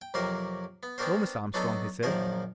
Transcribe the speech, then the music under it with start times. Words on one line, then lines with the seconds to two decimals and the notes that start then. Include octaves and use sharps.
"No, Miss Armstrong," he said.
0.01 G5
0.14 F2 C3 F#3 A#3 A#4 C6
0.83 B3
0.98 B3 C4 D4 F#4 A#4 C5
1.54 F#3 B3 D4 D#4 A4 D#5
2.03 A#1 F#2 D#3 F3 A#4 C5